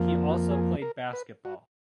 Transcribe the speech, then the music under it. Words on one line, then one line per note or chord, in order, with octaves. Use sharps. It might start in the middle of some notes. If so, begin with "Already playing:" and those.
He also played basketball.
Already playing: F2 F3 A#3
F4
F#4
G#4
A#4
B4
F#4